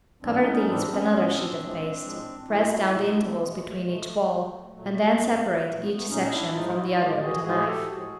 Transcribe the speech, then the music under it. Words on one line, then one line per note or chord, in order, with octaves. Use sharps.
Cover these with another sheet of paste, press down the intervals between each ball, and then separate each section from the other with a knife.
G#2 E3 G3 C4 D4
C#4 D#4
E4
C#4 D#4
G#2 E3 G3 C4 D4
B3 C#4
A2 F3 G#3 B3 C#4
C4 D4
A2 F3 G#3
A2 F3 G#3
A2 F3 G#3 D4 E4
E4 F#4
B2 G#3 D#4 F4
D4 E4
A#3 C4
B2 G#3 A3 B3
A3
G#3
B2 G#3 A3
B2 G#3
A#2 F#3 A3
A3
G#3
A#2 F#3
A#2 F#3 A3
A3 B3
A3 B3
A#2 F#3 C#4 D#4
D4 E4
A2 F3 G#3 D#4 F4
E4 F#4
A2 F3 G#3 F4 G4
F#4 G#4
A2 F3 G#3 F#4 G#4
G4 A4
A2 F3 G#3 F#4 G#4